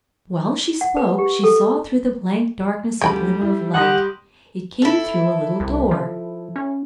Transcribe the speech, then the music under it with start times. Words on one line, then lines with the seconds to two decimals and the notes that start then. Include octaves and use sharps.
While she spoke, she saw through the blank darkness a glimmer of light; it came through a little door.
0.81 F#5
0.97 B4
1.18 G4
1.43 A4
3.01 D2 C#3 G3 G5 B5
3.41 E4
3.74 G3 G4 F#5 C6 D#6 A#6
4.82 E4 A4
5.60 C2
5.91 F3
6.56 C#4